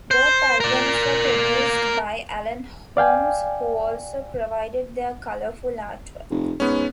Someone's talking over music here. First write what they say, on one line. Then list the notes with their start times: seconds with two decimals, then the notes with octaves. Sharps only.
Both albums were produced by Alan Holmes who also provided their colourful artwork.
0.11 C5
0.60 A#4 D5
2.97 D5 F5 G5 G#5
6.30 F1
6.60 G#2 B3 C#4